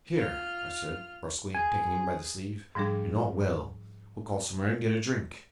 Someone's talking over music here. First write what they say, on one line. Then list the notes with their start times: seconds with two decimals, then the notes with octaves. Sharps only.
"Here," I said brusquely, taking him by the sleeve, "you're not well. We'll call somewhere and get a drink."
0.15 F4 F6
1.55 G#4 G#5
2.75 G#2 F3 G3 D4 G#4